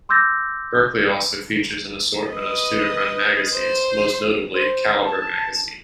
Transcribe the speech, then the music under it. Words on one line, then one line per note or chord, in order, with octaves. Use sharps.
Berkeley also features an assortment of student-run magazines, most notably Caliber Magazine.
C6 D6 E6 G6 A6 A#6
B4 D#5
C5
C5
A5